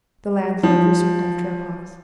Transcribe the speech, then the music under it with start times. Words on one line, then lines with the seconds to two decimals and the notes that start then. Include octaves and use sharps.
The landlord resumed after a pause.
0.63 F3